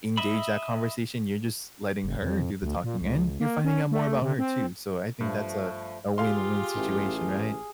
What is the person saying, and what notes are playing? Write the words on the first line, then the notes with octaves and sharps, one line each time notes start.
engage that conversation, you're just letting her do the talking, and you're finding out more about her too, so I think that's a a win-win situation, right?
D#5 E5 B5
F#1
F2
D2
A#2
C#2
A#3
C#4
A3
C3
C4
G2 F3 A3
F4 G4 G#4 F5 C6
A1